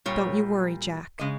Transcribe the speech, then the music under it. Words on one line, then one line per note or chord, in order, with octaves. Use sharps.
"Don't you worry, Jack."
A#2 G3 C#5
C#3 G#3 D#5